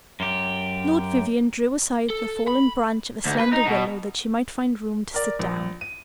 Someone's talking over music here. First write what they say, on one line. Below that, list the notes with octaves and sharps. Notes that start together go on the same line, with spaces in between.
Lord Vivianne drew aside the fallen branch of a slender willow, that she might find room to sit down.
F#2 G4
A4
B5
D2
B4
D#4
B2
A#4 D5
A#1
D#7